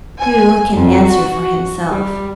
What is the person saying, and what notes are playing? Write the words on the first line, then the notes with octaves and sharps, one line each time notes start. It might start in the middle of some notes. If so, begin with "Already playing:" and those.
Who can answer for himself?
G#5
F2
F#4
G3